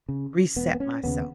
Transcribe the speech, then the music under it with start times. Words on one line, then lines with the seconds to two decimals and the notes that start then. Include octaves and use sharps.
reset myself.
0.09 C#3
0.56 E1 B3
0.74 B3
0.80 C#4
1.04 D#2 C#3 B3